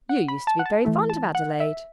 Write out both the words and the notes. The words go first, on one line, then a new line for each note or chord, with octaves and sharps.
"You used to be very fond of Adelaide."
F#5
B5
A5
F#5
A5
E3 A3 E4
A5
F#5
E5